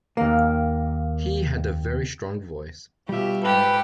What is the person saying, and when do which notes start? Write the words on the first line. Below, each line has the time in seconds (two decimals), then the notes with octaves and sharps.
He had a very strong voice.
0.17 D#2 A#3
3.09 B2 G3 F4 G4 E5
3.44 G#2 G4 A4 B4